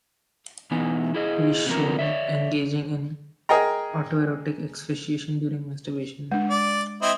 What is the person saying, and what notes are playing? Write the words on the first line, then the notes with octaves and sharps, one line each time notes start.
He is shown engaging in autoerotic asphyxiation during masturbation.
B2 E3 B3 D#4 G#5
E4 G#4 D#5
C3 E3 F3 B3 C#4 A#4
C#5 D5 E5
G#4 A#4 D#5 G5 A#5
G#3 D4
D5
C4 E4 D#5